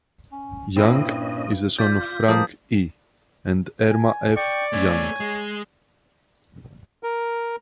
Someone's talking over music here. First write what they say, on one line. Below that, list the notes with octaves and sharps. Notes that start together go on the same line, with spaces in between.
Young is the son of Frank E. and Erma F. Young.
C#4
G2 A#2 C4 C#4 E4 D#5
F4 D5 G6 B6
F3 G3 G#3 A#3 G4 D#6
G#5
D5 G5 C#6
A3 C4 C#5 G#5
G#3
A#4